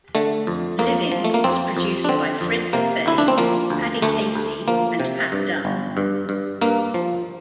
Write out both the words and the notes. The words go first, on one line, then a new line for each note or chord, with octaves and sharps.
"Living" was produced by Fred De Faye, Paddy Casey and Pat Donne.
D3 A3
F2
F2 A#3
F3
A3
A#3
F2 C4
F2
D4
D3 C4
F2
C3 A#3
D2 E4
D4
C4
F3 A#3
D2
D2 A3
D2
F3 A#3
C3
G2
G1
G2
G2
G2 A#3
F3